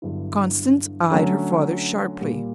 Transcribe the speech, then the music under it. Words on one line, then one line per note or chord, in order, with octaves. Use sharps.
Constance eyed her father sharply.
G2 D3 F#3 B3 E4
D3 F#3 A3 C#4
A#2 G3 A#3